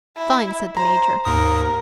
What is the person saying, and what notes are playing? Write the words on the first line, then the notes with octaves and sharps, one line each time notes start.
"Fine," said the Major.
E4
C5 A#5
D#2 G#2 A#4 D#6